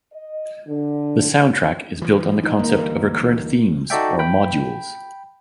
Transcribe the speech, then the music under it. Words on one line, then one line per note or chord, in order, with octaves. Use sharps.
The soundtrack is built on the concept of recurrent themes or "modules".
D#5
D3
E3 F3
D#4
G#1 A#3
D2 E3 G3
D#4 F#4 A4 D5 E5 G5
G5 B5